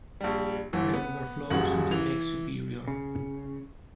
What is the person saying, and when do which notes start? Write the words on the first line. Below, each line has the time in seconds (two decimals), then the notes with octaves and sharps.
The river flows into Lake Superior.
0.21 A#1 G3
0.73 G1 E3
0.94 B3
1.50 D#1 F#2 C#3 F#4 F#7
1.91 E3 F7
2.88 C#3